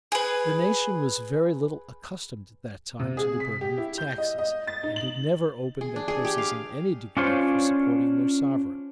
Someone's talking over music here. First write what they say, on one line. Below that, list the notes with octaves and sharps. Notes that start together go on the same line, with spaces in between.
The nation was very little accustomed at that time to the burden of taxes, and had never opened their purses in any degree for supporting their sovereign.
G#4 B4
C3
G#4
B6
G4
E4
G6
D#5
D#5
A6
D#4
F#7
G#4
D4
G#4
G4
F5
C#4 D4 F4 C5 C#5